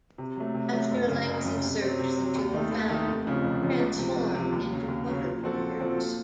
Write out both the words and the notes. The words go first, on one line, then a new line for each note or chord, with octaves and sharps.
After a lengthy search the two are found, transformed into water breathers.
C3
F#3 A3
C3
F#3 A3
F#1
F#2 C#3
F#1
F#2 C#3
C3
F#3 C4
C3
F#3 C4
D#2
D#3 A3 D#4 A4
D#2
D#3 A3 D#4 A4
F1
F2 C#3 F3
F1
F2 C#3 F3
C#2
C3 F3
C#2
C3 F3
D#2
C#3 F#3
D#2
C#3 F#3
A#2
F3 C4 F#4 A4
A#2
F3 C4 F#4 A4
A#2